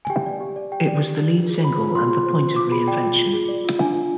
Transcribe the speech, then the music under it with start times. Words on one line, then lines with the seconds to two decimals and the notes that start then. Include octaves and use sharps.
It was the lead single and the point of reinvention.
0.05 G#5
0.10 G4 G5
0.26 D5
0.41 G4
0.56 D5
0.72 G4 G5
0.88 D5
1.03 G4
1.19 D5
1.34 F4
1.49 G#4
1.64 C5 B5
1.80 F4
1.95 F4 C6
2.11 G#4
2.26 C5
2.41 F4
2.56 F4 D6
2.71 G#4 B5
2.88 D5 G5
3.03 F4
3.18 F4
3.33 G#4
3.49 D5
3.64 F4
3.80 D4 G#5
3.95 F4